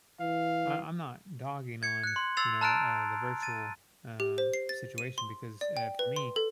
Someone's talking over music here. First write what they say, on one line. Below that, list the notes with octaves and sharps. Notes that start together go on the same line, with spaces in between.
I I'm not dogging on, you know, uh, the virtual, um, situation because, eh, for me,
E3 F5
G#6 C#7
F#6 C#7
C6
C6 E6 A6 C7 F7
A5 A#5 F6 F#6 A6 D7
A6 D#7
G4
C5
C7
A6
D#7
C6
D5
G5
B4
C6
A4